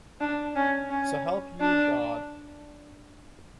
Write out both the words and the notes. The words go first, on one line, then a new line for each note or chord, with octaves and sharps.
So help you God.
D4
C#4
C#4
D4